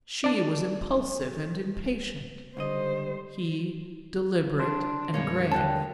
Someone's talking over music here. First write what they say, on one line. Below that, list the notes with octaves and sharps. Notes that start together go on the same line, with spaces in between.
She Was impulsive and impatient, he deliberate and grave.
D4 D5
C#2 D3 G3 C5 D#5
D4 C6
F#2 B2 G3 G#3 A#3 C#5
D#2 D3 G3 A#3 G5 A5 F#6